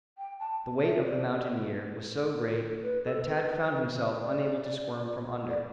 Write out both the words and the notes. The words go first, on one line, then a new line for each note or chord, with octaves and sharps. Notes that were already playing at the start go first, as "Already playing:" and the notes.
The weight of the mountaineer was so great that Tad found himself unable to squirm from under.
G5
A5
E5
D5
B4
A4
B4
D5
D5